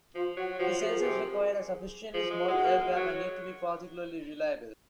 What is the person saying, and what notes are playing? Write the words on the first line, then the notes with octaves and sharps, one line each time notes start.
These sensors require a sufficiently small air gap and need to be particularly reliable.
F3 F4
F#3 F#4
F3 F#4
F3 G#4
A#4
G#4
C3
F3 G#4
G#3
F4
G#3 F#4
A#3
G#3
F#3